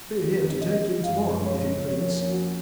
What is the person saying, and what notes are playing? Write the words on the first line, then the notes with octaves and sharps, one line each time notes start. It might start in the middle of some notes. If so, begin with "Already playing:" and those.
Be here to take him to-morrow, if you please.
F2 D#3 A#3 C#4
D#5
F#2 F3 G#3 F5
C#5
F2 F3 A#3 C#4 C#5
F#4